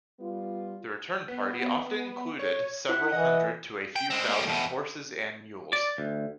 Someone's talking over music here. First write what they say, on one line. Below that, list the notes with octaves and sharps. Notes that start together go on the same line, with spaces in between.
The return party often included several hundred to a few thousand horses and mules.
G3 B3 F4
B3
C#5
E4 F#5
E3 D#5
G5
G#3 C4
G3 A#3
E2 B2
D5
D2